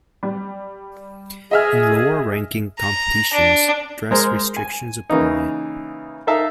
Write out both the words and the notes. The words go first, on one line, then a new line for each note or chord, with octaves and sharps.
In lower ranking competitions dress restrictions apply.
G3
G#4 D#5 E5 F6
A#5
D4
G#3 A#4 C5
G#5
C#3 E3 A#3 D#4
D#4 A4 A#4 E5 F5 A5